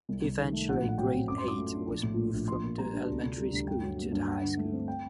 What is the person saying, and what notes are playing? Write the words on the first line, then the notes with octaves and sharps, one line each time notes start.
Eventually grade eight was moved from the elementary school to the high school.
C2
C3
D#3
A3
A#1 F#5
A2
F#5
F#3 G5
C4
F#2 D6
C6
F#3
D6
A3
D4
A#1
A2
A3
A#1
A#1 C6
A#2
G3 A#5
D4
D2
C3
G3
D2
G2 G5
F#3
A#3
G2
G2 F#5
D3
A3
C4
G5